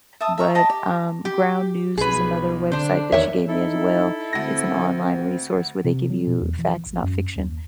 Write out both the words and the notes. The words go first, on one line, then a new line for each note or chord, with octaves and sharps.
But, um, Ground News is another website that she gave me as well. It's an online resource where they give you facts, not fiction,
E5 A5 D#6
E5 A#5 C#6
D#5 G5 A5
G4
G4
B1 G#4 B4
D3 D4 C5
E2 D#3 A#4 C#5 E5
D#4 E4 A4
D2 C4 A#6
C3
F#3
B2
E2
E3
A1
F#2
D#2